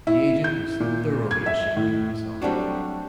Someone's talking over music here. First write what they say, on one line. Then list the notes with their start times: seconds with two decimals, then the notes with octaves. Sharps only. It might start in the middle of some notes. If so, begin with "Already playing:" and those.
The agent was thoroughly ashamed of himself.
0.07 E4
0.44 G6
0.80 A#2
1.31 G#6
1.46 E5
1.76 A2
2.42 F#3 G3 A3 C4 D4 F#4